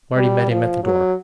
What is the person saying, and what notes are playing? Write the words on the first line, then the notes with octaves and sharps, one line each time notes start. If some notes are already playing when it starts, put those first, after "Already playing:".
Marty met him at the door.
G3
F3
F#3